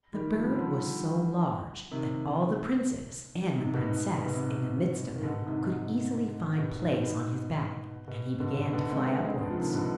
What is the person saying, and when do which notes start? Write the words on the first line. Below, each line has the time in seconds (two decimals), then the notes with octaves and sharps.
The bird was so large that all the princes, and the princess in the midst of them, could easily find place on his back, and he began to fly upwards.
0.13 D#3 G3
0.36 F3
0.46 G3
0.55 D3 F3
1.91 C3 D#3
3.57 G#2 C3
3.74 B2
3.91 G#2
4.13 B2
4.26 B2
4.35 G#2 C3
5.14 D#3
5.23 B2 D3
5.46 G#2 C3
5.69 G#2
6.58 B2
6.79 G#2
7.01 B2
8.08 B2
8.40 B2 D3
8.58 B2
8.73 B2 D3
8.90 G#3 C4
9.06 B3 D4
9.24 G#3 C4
9.41 B3 D4
9.50 F3
9.56 C3 D#3
9.73 B2 D3